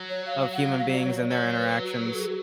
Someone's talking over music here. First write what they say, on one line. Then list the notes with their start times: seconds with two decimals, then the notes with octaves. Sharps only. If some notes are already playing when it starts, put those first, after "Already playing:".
of human beings and their interactions.
Already playing: F#3
0.10 C#5
0.26 F5
0.41 F5
0.53 F#5
0.65 F5
0.79 F5
0.93 D5
1.05 C#5
1.18 D5
1.31 F#3 C#5
1.58 B4
1.84 F#4
2.07 B4
2.14 A4
2.20 G#4
2.28 F#4